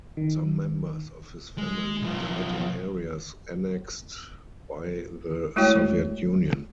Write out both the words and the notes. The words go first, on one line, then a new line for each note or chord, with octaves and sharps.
Some members of his family died in areas annexed by the Soviet Union.
D#3
G#3
B1 F3
G#3 A3 E4 F#4 C#5 G5